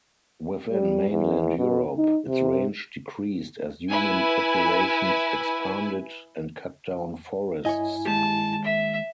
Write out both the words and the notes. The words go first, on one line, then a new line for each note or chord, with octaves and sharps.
Within mainland Europe, its range decreased as human populations expanded and cut down forests.
G3
E2
B2
D#4
C3
E4 B4 G#5
G2 E4 C#5 D#5 G#5
D#2 G#3 G4 A5
E5